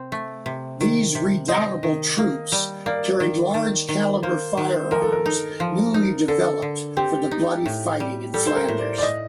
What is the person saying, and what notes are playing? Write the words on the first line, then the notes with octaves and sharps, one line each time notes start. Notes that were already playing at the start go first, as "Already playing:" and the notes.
These redoubtable troops carried large-calibre firearms newly developed for the bloody fighting in Flanders.
Already playing: C3 C4
A3
C3
D#3
C3
C4 D#5
D#3
A#3
G3
A#3 D5
D#3
D#3
D#3
A#3 C5
D#3
F3 A#4
A4
A#4
D#4
F3
D#4
D3 A4
D3
C4 G4
D#4
A2
G3
G3 A4
C5
A#4
A2
D5
D5
A2 D#5